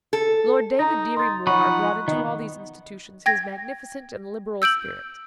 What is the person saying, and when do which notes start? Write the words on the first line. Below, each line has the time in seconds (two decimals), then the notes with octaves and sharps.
Lord David Dirry-Moir brought into all these institutions his magnificent and liberal spirit.
0.13 A4
0.79 D#4 A#5 A#6
1.17 D#4 C6 A6
1.47 F3 D#4 F#5 B5 C#6
2.08 D#3 B3 D#5
3.26 G5 G#6 A#6
4.62 E6 G6 D7 F#7